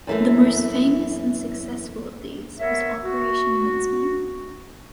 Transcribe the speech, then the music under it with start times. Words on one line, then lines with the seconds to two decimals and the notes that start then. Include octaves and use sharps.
The most famous and successful of these was "Operation Mincemeat".
0.07 F#2 E3 A3
2.59 B3 A#4 C#5 E5
3.03 F#4